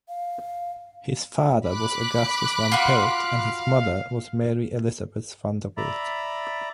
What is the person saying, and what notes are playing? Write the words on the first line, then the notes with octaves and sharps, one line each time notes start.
His father was Augustus Van Pelt and his mother was Mary Elizabeth Vanderbilt.
F5
B5 D6 F#6
F4 F#4 F5
D5 E5 A#5 B5